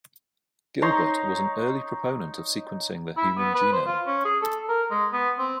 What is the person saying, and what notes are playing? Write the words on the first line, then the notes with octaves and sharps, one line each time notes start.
Gilbert was an early proponent of sequencing the human genome.
D#4 C#5 A#5 C6
E4
B3
B4
C5
F4
C#4
G#4
A4
A#4
G#3
B3
C4